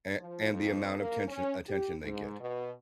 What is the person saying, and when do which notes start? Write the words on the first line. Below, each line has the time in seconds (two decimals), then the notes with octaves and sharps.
a and the amount of tention attention they get
0.19 F3
0.53 F2
0.99 A#3
1.28 C#4
1.69 G4
2.03 G#2
2.40 B2